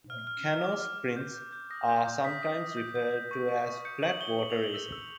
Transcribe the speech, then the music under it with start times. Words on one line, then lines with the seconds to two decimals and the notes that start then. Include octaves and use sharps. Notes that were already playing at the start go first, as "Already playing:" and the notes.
Canoe sprints are sometimes referred to as flat water racing.
0.10 F6
0.27 F6
0.46 F6
0.63 D6
0.81 F6
0.98 F6
1.16 G6
1.35 G6
1.52 G6
1.70 D#6 A#6
1.88 G6
2.06 G6
2.24 D#6 B6
2.42 D#6
2.60 D#6
2.77 G6
2.95 G6
3.14 G6
3.31 C#6
3.49 C#6
3.67 C#6
3.85 G6 C#7
4.03 C#6 F#7
4.20 C#6 G7
4.38 C#6 F#7
4.51 F7
4.56 E6
4.64 F#7
4.74 E6
4.92 E6